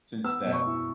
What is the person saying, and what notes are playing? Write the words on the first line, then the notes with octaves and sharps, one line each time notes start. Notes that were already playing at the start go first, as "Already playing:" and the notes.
since that
B3 E6
B2
C#6
E4